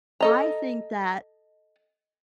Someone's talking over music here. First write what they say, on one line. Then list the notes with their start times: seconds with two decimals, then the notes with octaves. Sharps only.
I think that
0.21 A4 D#5 A#5